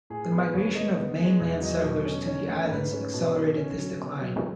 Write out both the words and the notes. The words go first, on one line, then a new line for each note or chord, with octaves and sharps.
The migration of mainland settlers to the islands accelerated this decline.
A2 G#4
B3 B4
D#2 C#5
A3 D#5
B3
G#3
E2
F#3 D#5
B2
C#4
C#4 C#5
A3
G#2 B4
C#4
B2
C#4
C#4
F#3
B3 C#5
F#3